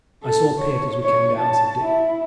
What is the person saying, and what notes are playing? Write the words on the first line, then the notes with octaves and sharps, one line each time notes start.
"I saw a pit as we came down," said Dick.
A4
C#5
C#5
A5
E4